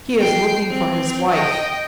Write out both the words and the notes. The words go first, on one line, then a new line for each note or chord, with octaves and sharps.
He is looking for his wife.
G5 C7
C4
D#5 G5